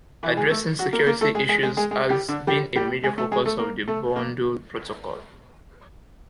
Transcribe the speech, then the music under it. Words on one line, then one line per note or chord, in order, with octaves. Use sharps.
Addressing security issues has been a major focus of the bundle protocol.
E3 E4
G#3 G#4
A3 A4
F#3 F#4
A#3 A#4
A#3 A#4
A3 A4
G#3 G#4
G#3 G#4
G#3 G#4
G#3 G#4
G#3 G#4
G3 G4
D3 D4
G3 G4
G3 G4
G#3 G#4
A3 A4
G#3 G#4
A3 A4
A#3 A#4
A3 A4
A#3 A#4